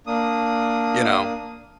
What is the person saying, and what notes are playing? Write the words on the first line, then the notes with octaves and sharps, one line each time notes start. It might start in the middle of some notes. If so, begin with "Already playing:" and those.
you know?"
A#3 D4 D#6